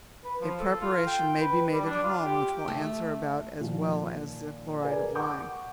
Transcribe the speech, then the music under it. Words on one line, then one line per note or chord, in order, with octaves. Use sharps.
A preparation may be made at home which will answer about as well as the chloride of lime.
B4
F3
A4
F4
G5
B4
G3
D4
F4
G4
A3
A#2 D#3 F3
G#4 A#4 B4 D5 G#5
F#5 C#6 D6 G6